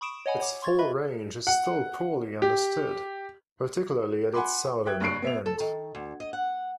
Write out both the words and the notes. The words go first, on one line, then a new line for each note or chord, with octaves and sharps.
Its full range is still poorly understood, particularly at its southern end.
B5 C#6 D#6 D7 E7
C#5 D#5 F#5 G#5 B5
C#5 F#5 D6
C6 C#6 G#6 A6
B4 D#5 E5 B5
F#5
G4
F#5 G#5 B5 C6 D6
E5 G5 F#6 G#6
F#1 G2 C#6 F#6 C7 D7
B3 E5 F7
A4
D#3
D2
D#5
F#5